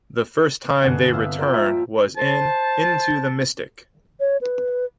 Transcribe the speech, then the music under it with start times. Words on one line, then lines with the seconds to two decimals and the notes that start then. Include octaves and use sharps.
The first time they returned was in "Into The Mystic".
0.81 G1 C3 G#4 F#5 A5
1.13 E5 F5 A5
1.39 A#2 F3 A#4 G5
1.54 F3 E5
2.17 C5 A5
4.20 C#5
4.41 B4